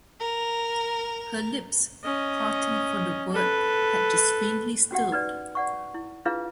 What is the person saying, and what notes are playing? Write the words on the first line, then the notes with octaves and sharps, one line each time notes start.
Her lips, parting for the word, had just faintly stirred.
A#4 F7
C#4 D#5
A4 B4
C#4 F#4 G4 F#5
D#4 B4 D5
D5 F#5 C#6
E4
D4 E4 F4 G#4 B4 F5